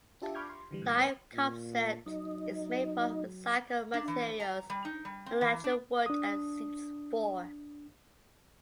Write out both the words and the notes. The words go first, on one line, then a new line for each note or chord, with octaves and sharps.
Life concept is made from recycle materials and natural wood and seats four.
D4 F4 G4 E5 A5
B5 C#6 D6 F6 G6 G#6
C6
D3 E3 G3
A2
C4 B4 C#5 G5 G#5
A#2
F#3 D#4
D4
E3
A#5
G3
D#4
G3
C4
E3
D4
D4 D#6